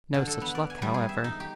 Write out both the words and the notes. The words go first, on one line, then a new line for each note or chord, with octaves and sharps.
No such luck, however.
D3
A4
B3
D5
G#5
G3
G#4
E5
D#4
G4